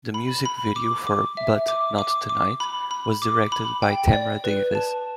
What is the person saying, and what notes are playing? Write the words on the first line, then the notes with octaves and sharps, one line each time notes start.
The music video for "But Not Tonight" was directed by Tamra Davis.
B5
B5
D6
D6
E5
D6
D6
D6
B5
B5
D6
B5
G5
D5
B4
A5